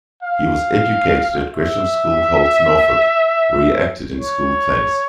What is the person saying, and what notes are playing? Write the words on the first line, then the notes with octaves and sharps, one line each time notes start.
He was educated at Gresham's School, Holt, Norfolk, where he acted in school plays.
F5
E5
C#5